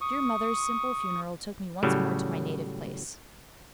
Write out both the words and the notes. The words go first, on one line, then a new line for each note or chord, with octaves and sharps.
Dear mother's simple funeral took me once more to my native place.
C#6 D#6
A2 C#3 F#3 G3